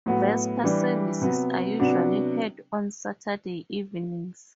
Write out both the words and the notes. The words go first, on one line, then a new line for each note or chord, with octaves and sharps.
Vesper services are usually held on Saturday evenings.
A2 F#3 B3 F#4
E3 G3 D4
C3 F#3 B3
C3 F#3 B3 D4 F#4